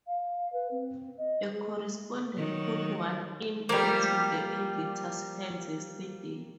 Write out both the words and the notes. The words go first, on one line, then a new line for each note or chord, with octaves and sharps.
A correspondent put one in into the editor's hands yesterday.
F5
B4
C4
D#5
G#4
A3
D#3 F#3
F3 G3 A#3 G4